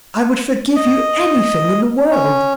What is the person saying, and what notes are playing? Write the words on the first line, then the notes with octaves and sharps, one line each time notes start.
I would forgive you anything in the world!
D#5
C#4